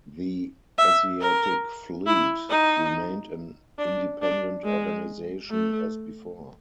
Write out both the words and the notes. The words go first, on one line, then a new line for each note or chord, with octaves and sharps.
The Asiatic Fleet remained an independent organization as before.
E5
A#4
E4
D#4
D4
D4
G#3
A3